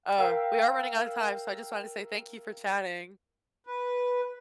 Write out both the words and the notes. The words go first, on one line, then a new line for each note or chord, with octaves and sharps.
Uh, we are running outta time, so I just wanted to say thank you for chatting.
A#4 E5 F5 G5
B4